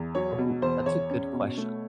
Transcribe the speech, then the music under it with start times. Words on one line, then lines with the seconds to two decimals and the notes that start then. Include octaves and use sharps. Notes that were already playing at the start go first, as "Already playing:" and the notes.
Ooh, that's a good question.
Already playing: E2
0.15 F#3 C#5
0.38 B2
0.62 E2 C5
0.86 E2 C#5
1.10 C#4
1.33 B2
1.57 A3